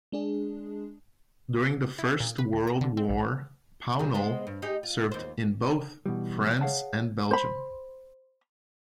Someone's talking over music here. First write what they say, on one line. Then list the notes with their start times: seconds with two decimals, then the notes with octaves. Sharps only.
During the First World War, Pownall served in both France and Belgium.
0.12 G#3 D4 G#4
1.99 E4
2.20 A#2
2.38 B4
2.53 D2
2.67 A#5
2.81 D3
2.97 C4
3.09 A#1
3.99 C3 G#4
4.14 G#3 B3 C4
4.47 G2
4.62 D#4 G4 G#4
4.83 F4
5.12 D#2 C5
6.06 B2 E3 G3
6.61 G#4 C#5 F5 F#5 A5
7.31 C5 B5